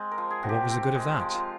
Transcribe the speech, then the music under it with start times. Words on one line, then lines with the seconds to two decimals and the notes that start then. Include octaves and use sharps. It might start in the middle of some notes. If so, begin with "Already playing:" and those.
But what was the good of that?
Already playing: G#3 C4
0.11 A#4
0.18 F3
0.30 G#4
0.43 C3 F#4
0.49 G4
0.68 C4
0.95 G#3
1.19 F3
1.35 F4